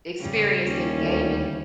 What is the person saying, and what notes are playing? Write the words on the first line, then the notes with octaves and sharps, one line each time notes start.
experienced in gaming
C#3 G3
D#2 G3 C#4
D2